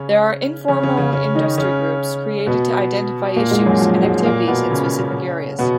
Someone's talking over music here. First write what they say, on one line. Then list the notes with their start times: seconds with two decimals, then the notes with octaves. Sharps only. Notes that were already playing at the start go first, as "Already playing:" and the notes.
There are informal industry groups created to identify issues and activities in specific areas.
Already playing: C#3 C#4
0.68 C#3 C#4
0.83 C#3 C#4
0.97 C#3 C#4
1.13 C#3 C#4
1.35 D#3 D#4
1.58 C#3 C#4
2.46 B2 B3
3.36 A#2 A#3
3.51 G#2 G#3
3.66 F#2 F#3
3.81 F3
4.03 G#2 G#3
4.25 A#2 A#3
4.48 B2 B3
4.70 C#3 C#4
5.59 B2 B3